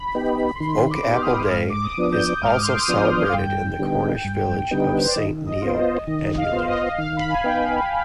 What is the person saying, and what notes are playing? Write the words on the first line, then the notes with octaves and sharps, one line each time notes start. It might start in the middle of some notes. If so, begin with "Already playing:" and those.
Oak Apple Day is also celebrated in the Cornish village of Saint Neot annually.
Already playing: B5
B3 D#4 G4
C6
D#3 B5
D6
B3 D#4 G4
F6
D#6
G#2 F6
D6
D#6
F3 B3 D4
G6
G#2 F6
C6
D6
D#6
F3 B3 D4 F6
F5
G2 G5
D3 G3 B3 D#4
G2
D3 G3 B3 D#4
B4
C5
D5
D#3 D#5
D#5
B3 F4 C5
D#5
D#3 D#5
F5
B3 F4 C5
D#5
D#3 F5
B5
G#5
B3 D#4 G5